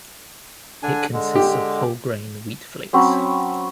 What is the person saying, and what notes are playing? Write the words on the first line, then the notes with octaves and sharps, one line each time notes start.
It consists of whole grain wheat flakes.
D3 D4 G#5
D3 G#3
G4
F#3 C4 C#4 B5